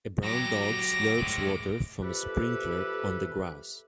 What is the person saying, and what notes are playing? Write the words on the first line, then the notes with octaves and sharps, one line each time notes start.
A brown dog slurps water from a sprinkler on the grass.
F#3 G4 D6 A#6
A2 G#3
F2 A3 G4 A4 B4